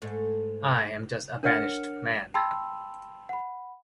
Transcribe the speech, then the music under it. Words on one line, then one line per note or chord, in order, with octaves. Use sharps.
I am just a banished man.
G#2 A3
D4 A#4 C#5 F#5 F6 C#7
G5 A5 B5 C6 E6
F#5 B5